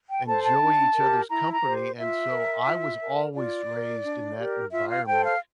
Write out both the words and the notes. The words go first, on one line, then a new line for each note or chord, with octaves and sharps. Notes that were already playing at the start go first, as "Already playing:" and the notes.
enjoy each other's company, and, so, I was always raised in that environment
G5
A4 C5 A5
A5
D4
G4 A#4
E4 A#5
A#5
G4 C5
F4 E5
A#4
F4
A#4
F4 D5
A#4
D4
G4 A#4
F4 E5
F5
A4 C5 G5
F5